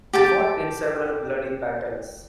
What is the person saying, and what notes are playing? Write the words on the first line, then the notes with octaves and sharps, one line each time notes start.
He fought in several bloody battles.
G4 G5 A5